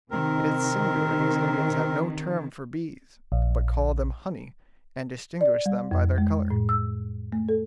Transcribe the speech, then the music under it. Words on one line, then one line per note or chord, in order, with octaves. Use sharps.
It is singular these Indians have no term for bees, but call them honey, and distinguish them by their color.
C3 D#3 C4 A#4
A#1
D5
G3
F2
G#3
A2
E6
A3
A4